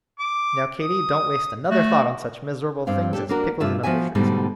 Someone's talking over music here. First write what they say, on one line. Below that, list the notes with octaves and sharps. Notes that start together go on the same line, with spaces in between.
Now, Katy, don't waste another thought on such miserable things as pickles and undershirts.
D6
D#6
A3 F#4
G2 C4 F5
D4 D#4 G4 A4
A#3 D4 F#4 A#4
G2 A3 F4 E5
F3 B3 F#4 E5 G#5
G#2 B2 D3 G3 A3